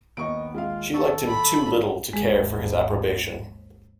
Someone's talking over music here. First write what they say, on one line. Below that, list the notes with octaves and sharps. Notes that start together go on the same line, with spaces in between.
She liked him too little to care for his approbation.
D#2 B3 D#5 C#6 D7
G#3 F4 F5
A4 C#6
B5
G#1 D#2 G#3 G#4